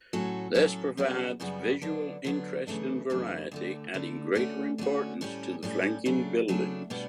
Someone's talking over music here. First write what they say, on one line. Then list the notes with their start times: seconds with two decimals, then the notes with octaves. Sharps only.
This provides visual interest and variety, adding greater importance to the flanking buildings.
0.13 A2 F#3 C#4 F#4 A4
0.55 A2 F#3 C#4 F#4 A4
0.97 F#2 C#3 G3 B3 F#4
1.40 F#2 C#3 G3 B3 F#4
1.82 D3 F#3 B3 D4
2.24 D3 F#3 B3 D4
2.67 F#2 C#3 E3 A3 D4
3.10 F#2 C#3 E3 A3 D4
3.52 D2 D3 A3
3.94 D2 D3 A3
4.35 D3 A3 C#4 F#4
4.78 D3 A3 C#4 F#4
5.21 A2 G3 C#4 G4
5.63 A2 G3 C#4 G4
6.05 C#3 F#3 A3 D4
6.48 C#3 F#3 A3 D4
6.90 B2 G3 B3 D4 G4